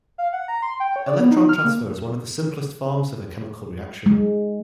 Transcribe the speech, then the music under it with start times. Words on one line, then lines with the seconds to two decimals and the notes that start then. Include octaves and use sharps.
Electron transfer is one of the simplest forms of a chemical reaction.
0.18 F5
0.33 F#5
0.48 A#5
0.62 C6
0.80 G5
0.96 C#5
1.08 D5
1.19 B3
1.31 D#4
1.49 F6
1.64 A#3
4.06 G#3